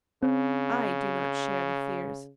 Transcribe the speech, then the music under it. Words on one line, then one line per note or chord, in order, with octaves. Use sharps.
I do not share the fears.
C#3 C4